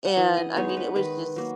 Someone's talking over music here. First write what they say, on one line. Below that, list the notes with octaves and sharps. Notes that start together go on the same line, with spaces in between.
and I mean, it was just
F#5
E3 E5
D#5
G#3 B3 D#4 C#5
C#5
B4
D#3 B4
F#3 A#3